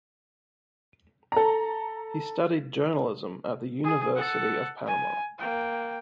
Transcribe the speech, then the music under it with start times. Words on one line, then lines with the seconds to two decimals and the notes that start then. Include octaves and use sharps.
He studied journalism at the University of Panama.
1.32 A4 A#5
3.84 G#4
4.15 A4 F#5
4.87 G#5
5.38 A#3 G5